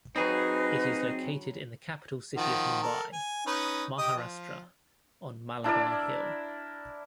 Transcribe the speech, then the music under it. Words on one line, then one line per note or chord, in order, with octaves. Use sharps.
It is located in the capital city of Mumbai, Maharashtra on Malabar Hill.
F#3 C4 D#4 F#4 G#4 B4 G#5 B5
D#3 F3 F#4
A4 A#4
G#5
C#4 D#4 B4
G4 D#5 G5
F3
D4 E4 A#4 D5